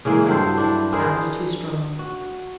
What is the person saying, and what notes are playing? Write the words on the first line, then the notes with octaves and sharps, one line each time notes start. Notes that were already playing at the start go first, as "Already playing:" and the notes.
That was too strong.
C#3 E3 G#3 A#3
G2 F#3 A4 C5
D4 E4 C5
E4 G#4 A#4 C5
F#4